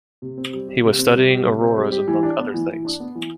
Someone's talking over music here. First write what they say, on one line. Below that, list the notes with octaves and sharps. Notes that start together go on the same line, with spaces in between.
He was studying auroras among other things.
C3
C4
G3
G4
C3
C4
G3
G4
C3
C4
G3
G4
E3
D4
B3
E3
E3
D4
B3
E3